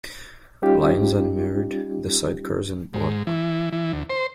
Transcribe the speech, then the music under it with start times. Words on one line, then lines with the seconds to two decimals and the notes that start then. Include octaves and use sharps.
Lyons admired the sidecars and bought one.
0.62 G3 C#4 D#4 F4 G4
2.94 G#2
3.27 E3
3.72 E3
3.93 D2
4.10 C5